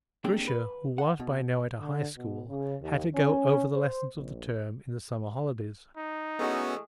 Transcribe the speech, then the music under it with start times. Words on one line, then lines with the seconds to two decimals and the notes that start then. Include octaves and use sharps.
Grisha, who was by now at a high school, had to go over the lessons of the term in the summer holidays.
0.24 C3 A#3 D4 G#4 G5
0.48 B4
0.98 F#5
1.20 B2
1.80 D3
2.17 B2
2.49 C#3
2.82 D#2
3.15 C#4
3.75 C5
4.16 A#1
5.97 D#4
6.39 E3 G#3 A3 B3 C#4 F#4